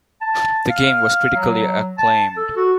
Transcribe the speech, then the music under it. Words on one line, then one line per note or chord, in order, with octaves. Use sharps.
The game was critically acclaimed.
A5
F5
F#3
A5
A4
F#4